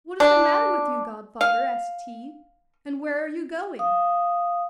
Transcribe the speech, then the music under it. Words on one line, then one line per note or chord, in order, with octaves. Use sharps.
'What is the matter with you, godfather?' asked he, 'and where are you going?'
D4
F5
F5 D#6